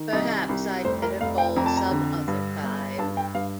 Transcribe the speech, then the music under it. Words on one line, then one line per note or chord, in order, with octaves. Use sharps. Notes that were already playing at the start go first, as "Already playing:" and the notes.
Perhaps I'd better call some other time.
Already playing: D#3
C2 D#5
C2
F1 C5
A#4
F1 F5
G5
F2 A#5
A5
A#5
D3
G2
G1
G2 A5
G5
G2 F5